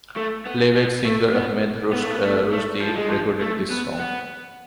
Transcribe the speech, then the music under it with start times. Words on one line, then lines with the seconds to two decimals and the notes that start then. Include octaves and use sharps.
Playback singer Ahmed Rushdi recorded this song.
0.16 A3
0.46 B3
0.75 B3
1.05 A3
1.34 B3
1.93 B3
2.02 A3
2.11 B3
2.23 A3
2.52 A3
2.81 F3
2.96 G#3
3.08 F3
3.41 A3
3.71 B3
4.00 B3